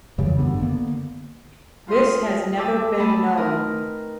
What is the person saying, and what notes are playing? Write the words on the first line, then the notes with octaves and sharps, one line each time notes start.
This has never been known.
F2 C#3 E3 G3
G#1 F#2 D3 B3
D3 A#3 B3
D2 F4 C5 C6 D#6
E5 G#5 A5 D6 E6
A3 A5 B5 D#6
C4 D#4 A#4 B4